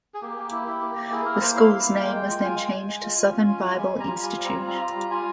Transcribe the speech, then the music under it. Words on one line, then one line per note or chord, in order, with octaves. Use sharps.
The school's name was then changed to Southern Bible Institute.
G#4
A#3 G4
A#3
E4
E4
A#3
A#3
E4 G#4
A#3 A#4
A#3 C5
E4 F5
E4
A#3
G#3 G5
G#3
F4
G#3 G#5
G#3
G#3
G#3
F4
F4
C#4
F4
G#3
G3 G#5
G3
A#5
F4
G3 G#5
C4
A#5
F4
G3 A#5
F4
G3
F4 G#5